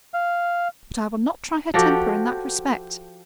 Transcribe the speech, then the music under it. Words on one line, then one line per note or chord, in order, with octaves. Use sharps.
But I will not try her temper in that respect.
F5
F3 F#4 G4 A4